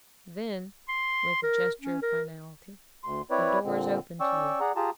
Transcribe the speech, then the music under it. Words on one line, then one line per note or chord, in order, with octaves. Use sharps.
Then," with a gesture of finality, "the door is open to you.
C6
A#4
C#4
A#4
D2 C6
C4 E4 B4 C#5 D5
A#2 D3 C4
C#4 D5 G5 C#6 E6
G#4 D5 F#5 A#5
F4 G4 G#4 A5 A#5